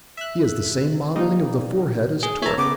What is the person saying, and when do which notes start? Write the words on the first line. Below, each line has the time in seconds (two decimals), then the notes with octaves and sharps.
He has the same modelling of the forehead as Torp.
0.17 E5 F#6
1.16 G3 A#3 D#4
2.23 G#4
2.42 C#5 E5 A5 A#5
2.58 C#3 B3 D6